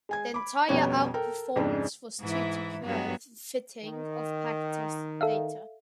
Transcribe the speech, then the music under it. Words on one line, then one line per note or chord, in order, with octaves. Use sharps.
The entire outperformance was due to curve fitting of backtested data.
G#3 G#5 G#6
B5 D6
F2 B2 G3 C#4 C#5 D5
A4 A#4 G5
F2 G#2 C#3 G#3 D4
G#2 E3 E4
G2 F#3 B3
D#3
A4 E5 F5